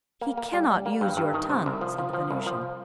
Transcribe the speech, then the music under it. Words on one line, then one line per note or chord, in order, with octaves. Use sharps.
"He cannot use your tongue," said the Venusian.
A#3
A#3
G3
G3
A#3
G2
G2
D#3
C3
C2
F3
F3
F3
C2
F3